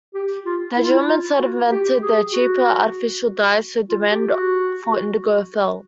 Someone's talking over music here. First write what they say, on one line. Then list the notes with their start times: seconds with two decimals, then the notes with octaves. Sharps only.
The Germans had invented a cheaper artificial dye so the demand for indigo fell.
0.14 G4
0.45 F4
0.76 E4
0.83 F4
0.90 E4
1.07 F4
1.39 F#4
1.71 G4
2.02 G#4
2.33 F#4
3.89 F4
4.11 G4
4.31 F#4